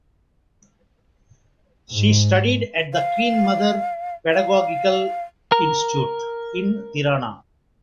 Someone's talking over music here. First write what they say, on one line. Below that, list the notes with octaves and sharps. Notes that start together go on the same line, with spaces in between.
She studied at the Queen Mother Pedagogical Institute in Tirana.
G#2
F5
F5
A#4 A#5